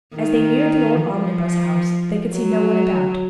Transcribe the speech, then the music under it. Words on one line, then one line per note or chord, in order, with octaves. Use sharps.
As they neared the old Omnibus House they could see no one about.
D#3
F3
F#3